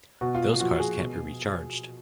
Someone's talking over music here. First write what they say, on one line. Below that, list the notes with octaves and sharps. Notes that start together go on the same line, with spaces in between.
Those cards can't be re-charged.
B2 F#4
F4
A#2 F3 F#4
G#4
B2